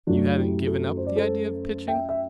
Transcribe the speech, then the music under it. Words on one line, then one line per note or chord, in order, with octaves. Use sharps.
"You haven't given up the idea of pitching?"
F#2 F#3 A3 D4 F#4
E4 G4
F#4 A4
C5
D5
A4 C5
E5 G5
E5